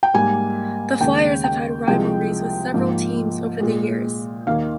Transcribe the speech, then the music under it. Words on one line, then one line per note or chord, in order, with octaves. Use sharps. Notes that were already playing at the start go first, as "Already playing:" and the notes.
The Flyers have had rivalries with several teams over the years.
G5
G#2 G3 A#3 G#5
D#2 C#3 G#3 G5
G5
C2 C3 F3 G#3 G5
G#2 F3 A#3
A#2 G#3
D#2 D#3 A#3 F5